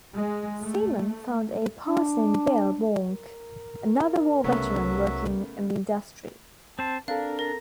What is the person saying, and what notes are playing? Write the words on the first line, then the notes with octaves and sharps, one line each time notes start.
Seaman found a partner in Bill Warnke, another war veteran working in the industry.
G#3
A3
D4
A#4
C2 C#3 F#3 A3 B3 F#4 E5
C4 C5 A5
C4 D4 A4 A#4 F5
A#4 A#5